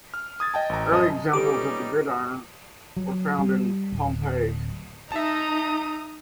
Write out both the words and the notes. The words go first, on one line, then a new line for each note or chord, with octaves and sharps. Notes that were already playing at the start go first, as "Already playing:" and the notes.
Early examples of the gridiron were found in Pompeii.
F6
D#6 G#6 A6
D#5 G5 A5
A1 A#5
F#2 D#5 A5 D#6
G3 C#4 D#4 G4 A4 B4 D6
F#3
G3
D1
D#4 E5 A5 A#5 D#6